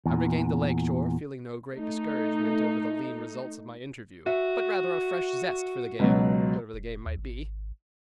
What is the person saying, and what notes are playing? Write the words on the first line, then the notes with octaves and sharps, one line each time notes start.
I regained the lake-shore, feeling no great discouragement over the lean results of my interview, but rather a fresh zest for the game, whatever the game might be.
E2 A#2
A3 D#4
F#4 E5
C#2 B2 F#3
E1
D#2
G#1